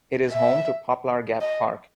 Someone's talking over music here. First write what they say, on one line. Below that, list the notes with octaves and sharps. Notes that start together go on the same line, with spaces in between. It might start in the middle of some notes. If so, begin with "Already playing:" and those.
It is home to Poplar Gap Park.
E5
D#5